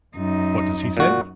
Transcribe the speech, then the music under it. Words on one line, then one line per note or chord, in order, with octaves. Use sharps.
"What does he say?"
F#2 D#4
A#2 F#4